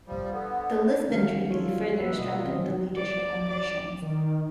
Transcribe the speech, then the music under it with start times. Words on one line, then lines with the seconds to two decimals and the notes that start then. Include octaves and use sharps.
The Lisbon Treaty further strengthened the leadership ambitions.
0.07 F3 G3
0.32 D3 B3
1.08 D3 D#3 F#3 C#4 F#4 F5
1.28 G3
1.48 F3 G3 F4 A4 C#5
1.98 A#3 F#4 B4 E5
2.16 B2 D4 F4 B4 D#5
2.45 D3 D#3 C4 C#4 D#5
2.95 D5
3.48 D5
4.02 D#3